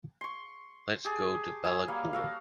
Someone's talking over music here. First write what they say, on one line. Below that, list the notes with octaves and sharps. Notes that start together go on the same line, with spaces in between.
Let's go to Balaguer.
C6 C#6
G4 G#4 A5
F#3 G#5 D#6 E6
G3 A#3 F5
F#4 A4 F5